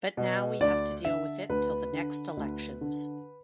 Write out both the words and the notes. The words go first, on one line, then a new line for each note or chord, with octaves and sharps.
But now we have to deal with it till the next elections.
B2
D2 D5
D3 E5
D2 B4
D3
D2
D3